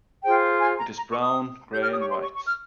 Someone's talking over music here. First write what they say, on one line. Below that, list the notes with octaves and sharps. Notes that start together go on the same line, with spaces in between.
It is brown, gray, and white.
F4 G#4 C5 G5
G#5
A#5
A#5
C#6
D#6
G4 C#5 G6
F6
D#6
C#6
C6
C#6
C#6
F6